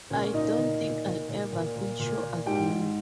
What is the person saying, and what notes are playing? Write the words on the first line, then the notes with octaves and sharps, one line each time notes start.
I don't think I'll ever feel sure again.
A#2 C#4 C#5
A#2 D#4 D#5
A#2
A#2
A#2
A#2
A#2
A#2
A#2
A#2
G#2 G4 G5
G#2